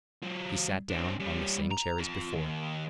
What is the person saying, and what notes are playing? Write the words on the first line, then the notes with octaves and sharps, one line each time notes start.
He sat down on the same chair as before.
F#3 F4
C4 D4
G3 C#4
A#5
F4 A4
D#2